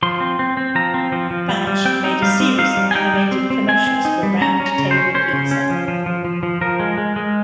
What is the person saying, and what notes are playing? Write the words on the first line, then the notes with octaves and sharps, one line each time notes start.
Bagge made a series of animated commercials for Round Table Pizza.
F3 C6
C4
C4
C4
F3 A#5
C4
F3
F3
G3
G3
C4 G5
D#4
G3 F5
C4
D#4 F5
G3
G#5
D#4 G5
G3
C4
C4
C4 G#5
C4
D#4
G3
C#4 A#5
C#4
A#5
C#3
C5
C#4
C#4 C5
C#3
C#4
F3
F3
F3
F3
F3
F3 A#4
G#3
G#3
G#3